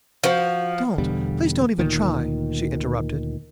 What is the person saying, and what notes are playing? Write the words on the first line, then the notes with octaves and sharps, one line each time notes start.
"Don't--please don't even try," she interrupted.
F3 F#4 C5 F#5
E2 B2 D3 G3
D2 A#2 D#3